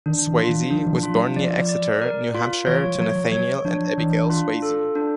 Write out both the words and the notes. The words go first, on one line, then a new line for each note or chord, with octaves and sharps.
Swasey was born near Exeter, New Hampshire to Nathaniel and Abigail Swasey.
D#3 D4
E3
F4
E3
F3 D4
E3
F3
F4
F#3
F3 D5
D5
A#4
F4
E3 C#5
F3
F3
F#3 C#5
F3
F#3 C#5
F3 D4
E3 D4
F4
A4
D4